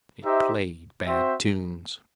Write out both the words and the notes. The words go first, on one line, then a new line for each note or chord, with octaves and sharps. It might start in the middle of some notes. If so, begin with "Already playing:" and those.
It played bad tunes.
D#4 G4 C5 E5
C4 F#4 C5 E5 G5